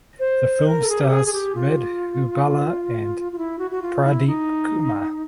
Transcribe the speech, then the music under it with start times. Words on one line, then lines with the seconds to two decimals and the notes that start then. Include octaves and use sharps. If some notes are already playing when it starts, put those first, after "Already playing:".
The film stars Madhubala and Pradeep Kumar.
0.19 C5
0.61 B4
0.64 A#4
0.82 A4
0.87 G#4
1.03 G4
1.09 G#4
1.26 G#4
1.32 G4
1.55 F4
3.32 F4
3.37 E4
3.59 F#4
3.71 F#4
3.82 F4
4.04 E4
4.27 D#4